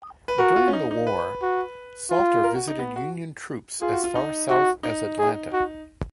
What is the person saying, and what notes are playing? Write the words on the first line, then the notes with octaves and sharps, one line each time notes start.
During the war, Salter visited Union troops as far south as Atlanta.
B4
F#4 A#4
F4
C#4
D#4
D#4
B4
F#4
F4
A#4
F#4
D#4
B3
F#4
F4 G#4
F#4
F4
D#4
F#4
D#4
G#4
F#4